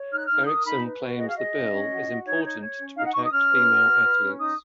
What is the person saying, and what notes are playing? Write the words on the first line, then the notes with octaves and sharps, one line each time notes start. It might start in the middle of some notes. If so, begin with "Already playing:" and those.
Erickson claims the bill is important to protect female athletes.
Already playing: C#5
D#4 F6
F#6
D#4 F6
A#4 D#6
D#4 B5
B4
F#4
G#4 D#5
F5
G#4 D#5
C#4
C#4
F#4
F#4
D#4 C#5
C#5
C#5
C#4
D#4 F5
F#5
D#4 C#6
D#6
C#4 F6
B4
F#4
B4
B4
C#4
D#4 D#6